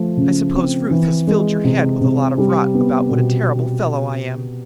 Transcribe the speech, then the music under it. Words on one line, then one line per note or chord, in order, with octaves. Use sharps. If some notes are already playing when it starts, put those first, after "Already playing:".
I suppose Ruth has filled your head with a lot of rot about what a terrible fellow I am.
Already playing: F3 A3
C#3
C4
E3
G#3
C3
C3
G3
B3
B2